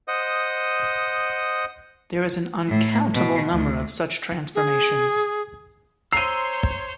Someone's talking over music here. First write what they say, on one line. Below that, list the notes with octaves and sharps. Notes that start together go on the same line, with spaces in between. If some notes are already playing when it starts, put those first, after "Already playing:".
There is an uncountable number of such transformations.
C5 D#5 F#5 D#6
A2
B2
D2
G#4
C5 C#5 A#5 C6 E6 C7 D#7